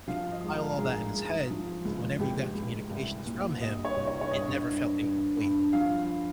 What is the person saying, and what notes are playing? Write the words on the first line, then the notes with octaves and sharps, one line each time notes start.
he'd compile all that in his head, so whenever you got communications from him, it never felt incomplete.
F3 F5
D#5
G#2
A#4
G#2 G#4
G#2
F3
C#2
C#2 G4
C#2
C2
A#2
G3 D#5
C#5
C2
C#5
C#5
G2 D#5
G2
G2
G2
F3 F5